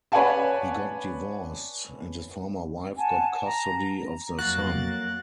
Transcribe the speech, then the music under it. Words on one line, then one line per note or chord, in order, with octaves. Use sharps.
He got divorced, and his former wife got custody of their son.
B4 C#5 D5 F#5 G#5 A5
F#5 G#5 A5
A#5
F2 F#3 A#3 F#4 F#6 A6